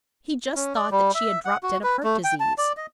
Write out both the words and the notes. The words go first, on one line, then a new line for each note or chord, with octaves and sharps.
He just thought that she had dropped dead of heart disease.
C#4
D5
G3
E5
F#5
F#4
B4
A3
G5
A5
D5
D#5